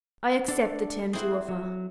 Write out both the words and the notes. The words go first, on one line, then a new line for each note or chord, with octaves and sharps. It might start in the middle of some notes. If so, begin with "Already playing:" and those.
I accept the terms you offer.
D4 A4 D5 F#5
C4 E4 F#4 G#4
F#3